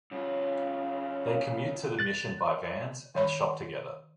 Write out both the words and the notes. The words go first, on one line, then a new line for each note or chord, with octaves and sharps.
They commute to the mission by vans and shop together.
F#2 C#3 F4
F#6 A6
D#3 C#5 B5